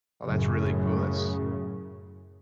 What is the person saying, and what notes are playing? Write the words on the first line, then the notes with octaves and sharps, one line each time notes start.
Well, that's really cool. That's
F#2 A2 C#3